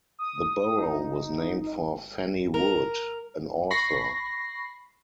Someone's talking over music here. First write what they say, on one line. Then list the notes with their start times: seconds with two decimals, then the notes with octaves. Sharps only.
The borough was named for Fannie Wood, an author.
0.19 D#6
0.79 D#4
2.54 A#4
3.71 B5 C#6 A#6 C7